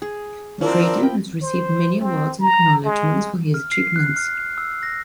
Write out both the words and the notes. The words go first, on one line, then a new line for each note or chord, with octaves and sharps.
Drayton has received many awards and acknowledgments for his achievements.
G#4
F3 C4 D4 E4 A#4
G5 B5
C5
C4
A#5
G#3
F6
C7
F#6
F6
E6
A#6